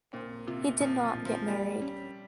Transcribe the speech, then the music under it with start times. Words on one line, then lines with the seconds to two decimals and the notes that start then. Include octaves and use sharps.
He did not get married.
0.13 A#2 C4
0.47 C3 F4
0.80 A#2 F3
1.04 F3
1.15 A#2
1.26 F3
1.48 G3 A#3
1.82 C#4